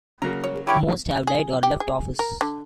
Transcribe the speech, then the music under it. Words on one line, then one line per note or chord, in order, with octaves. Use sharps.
Most have died or left office.
C#3 F#3 A#3 A#5
C#5
D3 D4 E4 G4 A#4 C#5 G5
G#4
G4
G#4
A#4
D3